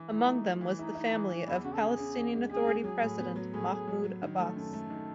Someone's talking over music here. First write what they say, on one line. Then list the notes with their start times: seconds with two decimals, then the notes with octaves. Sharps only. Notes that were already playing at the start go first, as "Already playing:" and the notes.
Among them was the family of Palestinian Authority President Mahmoud Abbas.
Already playing: E3
0.09 D#4 E4
0.26 A3
0.44 E4
0.61 E3
0.79 D#4 E4
0.95 E4
1.13 E3
1.30 E3
1.48 E2 E4
1.64 C#3 F#4
1.74 A4
1.82 C#3 G#4
1.99 C#3
2.16 E2
2.33 G#3
2.50 G#3 G#4
2.67 G#3
2.84 F#3 G#4
3.01 A2
3.19 B3
3.36 F#3
3.53 A2 G#4
3.71 A2
3.88 F#3
4.04 F#3
4.22 D#3
4.39 A3 A4
4.56 F#2 A4
4.73 A3
4.90 D#3